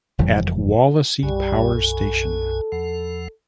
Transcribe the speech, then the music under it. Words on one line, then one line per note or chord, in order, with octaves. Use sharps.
At Wallasey power station.
F#1 F2 E3 G3
B1 F#2 G3 G#5
A4
E2 F3 F#5